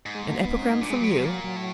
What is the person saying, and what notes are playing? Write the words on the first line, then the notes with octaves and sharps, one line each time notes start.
An epigram from you?
G#2
G#3
A3
A#3
B3
C4
C#4
D#4
A#2 D4
B2 G#3
A#2
B2 F#3
A#2 G3
B2 F#3
A#2
F#3
F#3
A2